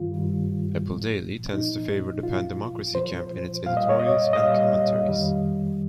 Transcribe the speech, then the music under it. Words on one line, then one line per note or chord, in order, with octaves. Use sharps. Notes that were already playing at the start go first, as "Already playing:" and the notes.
Apple Daily tends to favour the pan-democracy camp in its editorials and commentaries.
Already playing: G2 D#3 G3 F4
G2 D#3 G3
A#2 F3
A#2 F3 D#4
A#2 F3 F4
A#2 F3 C5
A#2 G3 F5
D#5
C#5
D#5
D#5
A#2 G3 F5
F2 D#3 G3